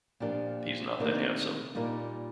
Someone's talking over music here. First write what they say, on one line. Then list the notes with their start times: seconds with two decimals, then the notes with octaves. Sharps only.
He's not that handsome.
0.20 A#2 F3 A#3 D4 G4
0.97 D2 C3 D#3 A#3 D4
1.75 A#2 G3 A#3 D#4